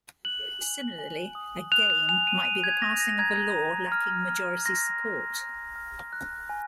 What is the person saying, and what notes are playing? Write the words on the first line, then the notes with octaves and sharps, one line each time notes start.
Similarly, a "game" might be the passing of a law lacking majority support.
F#6 F#7
G#5
G#5
D#6
F#6 F7
F7
G#5 F7
D#7
G#5 D#7
G#6
D#6 A#6
A#6
A#5 G#6
A#5
F6
F6
C6 A#6
C6
F6
F6
F#6
G#5